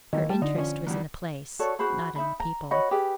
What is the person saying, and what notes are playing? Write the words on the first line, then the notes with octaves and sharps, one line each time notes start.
Her interest was in the place, not in the people.
D#3 E3 A#3
G3 A5
D3 D#4
F3 C#4
E2 G3
F#4 A4 C#5 D5
F#4 G#4 C5 B5
D#4 E5 B5
A#5
F#4 C#5 D#5 B5
G4 G#4 B4